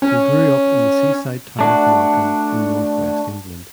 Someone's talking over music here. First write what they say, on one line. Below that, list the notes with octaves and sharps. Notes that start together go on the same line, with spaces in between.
He grew up in the seaside town of Morecambe in north west England.
C#4
A3 D4 F#4